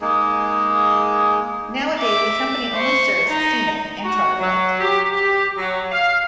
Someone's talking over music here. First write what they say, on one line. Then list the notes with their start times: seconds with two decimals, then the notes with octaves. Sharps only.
Nowadays, the company only serves scenic and charter flight.
0.01 G#3 A#3 D#4 G#4
1.99 E5 D6
2.74 C5 C#6
3.27 D#4
4.04 F#4
4.40 F#3
4.81 G4
5.14 G4
5.58 F#3
5.92 F5